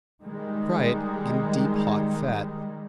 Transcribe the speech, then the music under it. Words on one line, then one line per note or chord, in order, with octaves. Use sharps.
Fry in deep hot fat.
D#3 G3 G#3